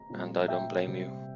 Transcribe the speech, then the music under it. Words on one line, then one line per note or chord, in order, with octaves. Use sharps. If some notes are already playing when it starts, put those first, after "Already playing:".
And I don't blame you.
Already playing: A#5
A#2 G3 C4
E5 G5
C3 G3 C4